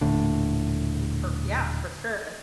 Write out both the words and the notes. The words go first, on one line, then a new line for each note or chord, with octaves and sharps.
Ooh, for yeah, for sure.
D#1 A2 D3